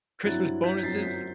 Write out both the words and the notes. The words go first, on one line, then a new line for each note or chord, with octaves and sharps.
Christmas bonuses.
G2 F#3 C4 E4 F#6 A6
G6 B6
B6
F#2 F#3 C4 A6 C7
G6 B6